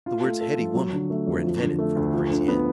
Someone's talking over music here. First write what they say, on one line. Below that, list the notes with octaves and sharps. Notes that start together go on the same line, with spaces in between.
The words heady woman were invented for the Parisienne.
F4
A3
A4
F3
F#3
D3
A3
F2
F3
D3
A3
D2
F3
D3
B3